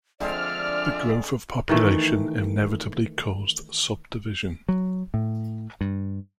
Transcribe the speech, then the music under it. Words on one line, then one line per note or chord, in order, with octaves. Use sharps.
The growth of population inevitably caused subdivision.
D3 F3 G#3 C4 D4 D5 E5 F6
D#3 E3 A3
F#3
A2
G2